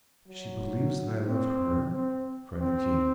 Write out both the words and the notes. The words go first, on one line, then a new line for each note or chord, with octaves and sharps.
"She believes that I love her!" cried the King.
F#3
C4
C4
C4